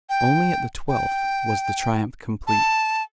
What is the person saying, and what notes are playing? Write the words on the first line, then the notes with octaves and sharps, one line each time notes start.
Only at the twelfth was the triumph complete.
G5
G5
A5